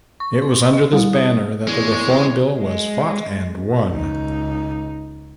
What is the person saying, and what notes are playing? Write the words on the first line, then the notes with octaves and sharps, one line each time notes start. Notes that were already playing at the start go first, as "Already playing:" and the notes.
It was under this banner that the Reform Bill was fought and won.
C#6
C6
C#6
D#5
G3
D#6
E2 G#3 A#3 D4 C#5
G#3
C#2 D#4